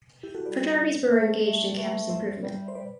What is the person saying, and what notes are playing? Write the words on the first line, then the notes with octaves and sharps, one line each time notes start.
Fraternities were engaged in campus improvement.
E4 G4
F#4 A4
G3 B4 D5
A3 A4 C5
A3
A3 B4 D5
C5 E5
G3
C5
G3 B4 D5